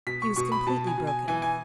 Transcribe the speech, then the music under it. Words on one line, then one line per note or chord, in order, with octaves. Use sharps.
He was completely broken.
B2 B6
C#6
B2 C#6
B5
B2 A5
G#5
B2
G#5
E3 G#5
G#5